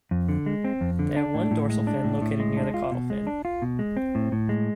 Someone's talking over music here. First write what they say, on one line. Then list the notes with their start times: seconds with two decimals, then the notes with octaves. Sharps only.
They have one dorsal fin located near the caudal fin.
0.11 F2
0.29 D3
0.46 G#3
0.64 C4
0.81 F2
0.99 D3
1.17 D4
1.34 A2
1.51 A2
1.70 G#3
1.87 D4
2.04 A2
2.22 A2
2.40 G#3
2.57 D4
2.74 F4
2.91 B2
3.10 G#3
3.27 D4
3.45 F4
3.62 B2
3.79 G#3
3.97 C4
4.15 A2
4.32 A2
4.49 G#3